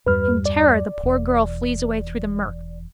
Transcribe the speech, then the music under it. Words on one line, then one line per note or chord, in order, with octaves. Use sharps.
In terror the poor girl flees away through the murk.
E2 G2 G3 B4 F6
D5
E1 E2